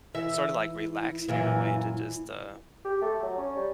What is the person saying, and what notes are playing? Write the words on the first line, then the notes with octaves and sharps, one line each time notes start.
sorta, like relaxing in a way to just, uh
E3 E4 E5
F#2 A#2 E3
G4
A3
F#3
C#4
G3